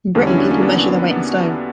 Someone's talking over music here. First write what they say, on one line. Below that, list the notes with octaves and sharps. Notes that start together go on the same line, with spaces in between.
In Britain people measure their weight in stone.
E2 D3 G3
C#4 E4
D4 F#4
A#3 C#4
B3 D4
B3